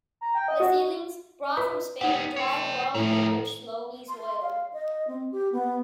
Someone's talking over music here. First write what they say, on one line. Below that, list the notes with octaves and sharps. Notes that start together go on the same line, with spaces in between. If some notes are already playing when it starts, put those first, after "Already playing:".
The seedlings, brought from Spain, thrived well in the rich, loamy soil.
A#5
G5
D#5
F#4
B4
B3 D#4 G4 F#5
C#5 G5
A2 D#3 F3
C6
F5
D#5
C4
G4
B3